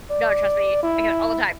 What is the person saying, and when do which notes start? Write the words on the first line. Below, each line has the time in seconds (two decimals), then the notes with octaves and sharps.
No, trust me, I get it all the time,
0.11 D5
0.83 E4